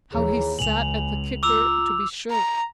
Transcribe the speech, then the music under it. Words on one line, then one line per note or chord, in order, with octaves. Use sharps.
How he sat the kicker to be sure!
D#2 E3 G#4 C#5 A#5
C#2 G#5 F7 F#7
F4 A#5 D6 E6 F7
A#5